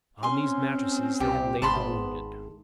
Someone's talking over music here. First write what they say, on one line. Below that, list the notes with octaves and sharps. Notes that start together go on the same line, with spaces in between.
On these mattresses they had laid the wounded.
C4 C#4 G#5 C6
C2 G4
G#1 B3 A5 B5 C6